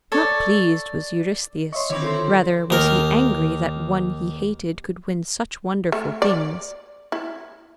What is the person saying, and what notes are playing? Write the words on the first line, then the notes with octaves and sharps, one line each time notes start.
Not pleased was Eurystheus; rather was he angry that one he hated could win such wonderful things.
A4 C#5 D5
C#5 D#5 E5 C6 C#6
D3 D#3 C4 E4 C#5 E5 D6
F4 A4 C6
D#2 A#4
A3
D5
E4